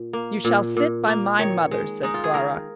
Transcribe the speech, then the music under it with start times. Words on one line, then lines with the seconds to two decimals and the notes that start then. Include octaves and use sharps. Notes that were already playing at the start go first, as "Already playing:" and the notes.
"You shall sit by my mother," said Clara.
Already playing: A#2
0.13 A#3
0.45 A#2
0.77 A#2
1.07 A#3
1.39 D#3 C#5
1.71 G#3
2.03 G#3 D#4
2.14 F4
2.24 G#4
2.34 D#3 A#4